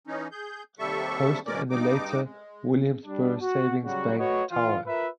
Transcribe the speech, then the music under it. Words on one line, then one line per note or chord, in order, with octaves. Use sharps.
Post, and the later Williamsburgh Savings Bank Tower.
E3 C#4 D#4
G#4 G6
D#2 C3 G3 A4 E5 C#6
B2 G#3 C#4 A#4 D5 D6
G2 G3 D#4 D6
G#3
G3 D4
F#4
C#3 F#3 G3 F#4
A3 F#4 B4 C#5 D#5
E3 F4
F4 A#4 B4 E5